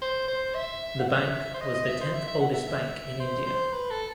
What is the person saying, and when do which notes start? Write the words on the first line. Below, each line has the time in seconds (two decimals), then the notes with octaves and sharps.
The bank was the tenth oldest bank in India.
0.02 C5
0.28 C5
0.54 E5
1.00 F#5
1.08 E5
1.54 C5
1.61 D#5
1.74 D#5
1.87 E5
2.01 C5
2.14 E5
2.27 E5
2.40 F#5
2.53 E5
2.67 E5
3.20 C5
3.47 C5
3.73 B4
3.90 A4